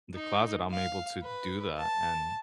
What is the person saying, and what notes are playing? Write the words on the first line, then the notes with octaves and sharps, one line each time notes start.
the closet, I'm able to do that, and
D#4
F5
B4
A5